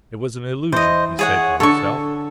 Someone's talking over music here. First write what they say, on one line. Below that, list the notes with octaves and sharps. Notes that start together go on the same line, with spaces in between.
It was an illusion, he said to himself.
E3 C5 D#5
G#4 C#5 F#5
D3 A4 C#5 C#6